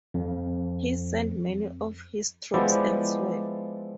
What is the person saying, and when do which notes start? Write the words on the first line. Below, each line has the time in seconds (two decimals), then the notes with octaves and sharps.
He sent many of his troops elsewhere.
0.14 F2
2.54 F3 G#3 B3 E4 G4 D5